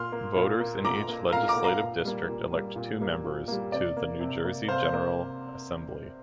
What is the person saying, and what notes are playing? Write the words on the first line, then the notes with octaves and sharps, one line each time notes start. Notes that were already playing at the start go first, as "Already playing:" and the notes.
Voters in each legislative district elect two members to the New Jersey General Assembly.
Already playing: A#2 C6 F6
A#3
A#2
A#3
A#2 A#5 D6
A#3
A#2 F5 A#5
A#5 D6
A#3
F5 A#5
A#2
G3 A#3
A#2
G3 A#3
A#2
G3 A#3
A#2
G3 A#3
C3 D5
A#3
C3
A#3
C3 C5 F5
A#3